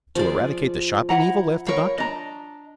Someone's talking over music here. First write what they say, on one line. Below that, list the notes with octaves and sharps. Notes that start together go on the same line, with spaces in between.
"To eradicate the shopping evil?" laughed the Doctor.
F3 G#4 D5
E4 F#5 A#5
A#4 C#5 F5 B5 C#6
D4 D#5 A#5